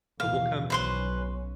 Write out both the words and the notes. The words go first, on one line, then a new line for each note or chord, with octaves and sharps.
and we'll come
D#2 B2 E3 F5
B1 C#4 B4 C5 C6